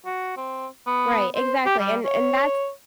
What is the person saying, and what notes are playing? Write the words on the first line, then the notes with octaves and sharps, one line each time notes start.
Right, exactly, and and that's
F#4
C4
B3
C5
G4
G3
C#5